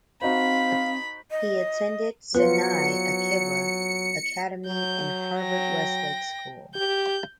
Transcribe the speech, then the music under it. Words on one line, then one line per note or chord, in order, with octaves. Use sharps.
He attended Sinai Akiba Academy and Harvard-Westlake School.
C4 D#4 F#4 C5 F5 B5
D#5
F#3 B3 F4 B4 C5 C#7
F#3 G6
G5 A#6
G4 G6